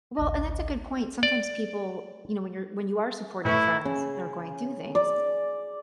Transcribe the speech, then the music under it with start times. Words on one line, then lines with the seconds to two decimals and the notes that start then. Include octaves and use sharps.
Well, and that's a good point, sometimes people, you know, when you're when you are supporting friends, they're going through things.
0.17 A1 D2 D#5
1.23 D5
3.45 A2 E4 B4 C#6
3.85 C#3
4.95 D5